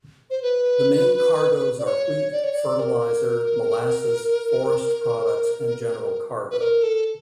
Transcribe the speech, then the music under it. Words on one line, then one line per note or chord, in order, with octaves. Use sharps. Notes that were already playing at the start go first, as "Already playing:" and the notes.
The main cargoes are wheat, fertiliser, molasses, forest products and general cargo.
C5
B4
D5
C#5
D5
C#5
D5
A#4
B4
A#4
A4